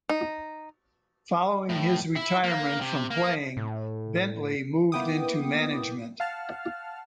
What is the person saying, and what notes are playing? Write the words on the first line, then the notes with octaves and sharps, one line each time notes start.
Following his retirement from playing, Bentley moved into management.
D#4
A2
E4
A#3
C3
A#3
A2
A#3 B3 E4 G5 D6 D#6
F5 F#5 A5 F6